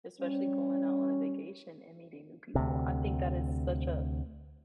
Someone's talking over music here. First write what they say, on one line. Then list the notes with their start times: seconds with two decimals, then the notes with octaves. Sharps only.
especially going out on a vacation and meeting new people. I think that is such a
0.21 G3 C#4
2.55 D2 C3